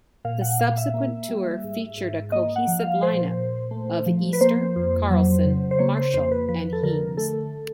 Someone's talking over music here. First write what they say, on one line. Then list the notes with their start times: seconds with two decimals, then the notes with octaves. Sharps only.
The subsequent tour featured a cohesive lineup of Easter, Carlson, Marshall and Heames.
0.25 A#2 F5
0.42 F#5
0.59 A#2 F5
0.77 E5
0.94 A#3
1.29 G3
1.64 G#2
1.97 G#2
2.32 A#3 D#5
2.56 F#5
2.67 F3
2.79 F5
3.02 A#2 C5
3.37 A#2
3.71 A3
4.06 F3
4.33 B4
4.41 A#3 C5
4.76 F2
5.11 F#3
5.45 C#3
5.71 C5
5.79 A#3 C#5
5.97 C5
6.13 F2 C5
6.32 B4
6.49 F3 B4
6.73 A4
6.83 D3 A#4
7.17 A3 A4